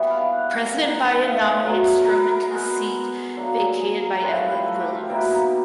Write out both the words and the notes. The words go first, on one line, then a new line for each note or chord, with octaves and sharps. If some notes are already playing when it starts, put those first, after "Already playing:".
President Biden nominated Stroman to the seat vacated by Ellen Williams.
Already playing: E3 G3 B3
F5
F#5
D#3 G#3 B3
F5
E5
D#5
C#5 D5
B2 F#3 A3
A#4 B4
A#4
B2 G#3 B3
D3 F#3 A#3 A4
G#4
G#4
A#4
A2 F3 A3 C4 B4
B4
A4
F#4
G4
F4
B2 G3 A#3 E4
D#4